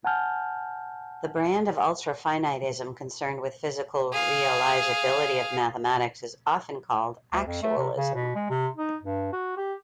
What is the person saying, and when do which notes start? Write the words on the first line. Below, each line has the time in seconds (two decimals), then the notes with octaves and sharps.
The brand of ultrafinitism concerned with physical realizability of mathematics is often called actualism.
0.05 F#5 G#5 A5 F6 G6
4.13 G#4 F5
7.33 D2
7.47 F2
7.62 A3
7.78 C3
7.96 C#3
8.14 B2
8.35 G#3
8.50 C3
8.77 D#4
9.03 G2
9.32 F#4
9.57 G4